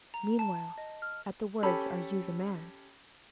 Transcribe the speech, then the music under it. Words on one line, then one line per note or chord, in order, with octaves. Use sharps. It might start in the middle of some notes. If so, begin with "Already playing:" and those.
Meanwhile, at the words, Are you the man?
A#5
A5
D#5
F6
C#4 G4 A4 A5 B5